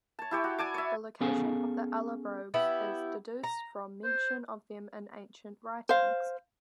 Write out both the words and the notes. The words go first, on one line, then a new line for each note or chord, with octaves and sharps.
The location of the Allobroges is deduced from mention of them in ancient writings.
C#5 A5
E4 G4 C#5
F#4
D5 G#5 A5 D6
C#5 E5
B3 C#4 G#4 A4 F5 G#5
B3 E4 G4
A#5
C5
C5 F5